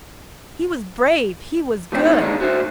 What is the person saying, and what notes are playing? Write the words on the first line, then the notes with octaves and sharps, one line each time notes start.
"He was brave, he was good!"
F3 A3 B3 C4 C5 G5
C#2 D#4 A4 C#5
D#3 E3 G#3 A#3 D4 D#4
F#4 A4 C5 E5